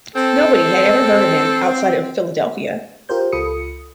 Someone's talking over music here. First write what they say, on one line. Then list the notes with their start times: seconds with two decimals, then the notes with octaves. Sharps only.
Nobody had ever heard of him outside of Philadelphia.
0.15 C4 A4
3.09 F4 G4 A#4 C5 G6
3.32 C#2 F4 A4 B5 D#6 C#7